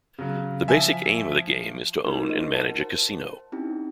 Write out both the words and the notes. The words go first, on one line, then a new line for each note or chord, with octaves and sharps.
The basic aim of the game is to own and manage a casino.
C#3 F#3
F3 E5 G#5
A3 D#4 F4 F#4 A#4
A#4 C5 D#5
A#4 F#5 A5
C5 A5
C4 C#4 D#4 E4 G4